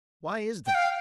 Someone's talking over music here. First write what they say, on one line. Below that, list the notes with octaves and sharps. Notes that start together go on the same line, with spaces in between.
Why is that?
G5
F5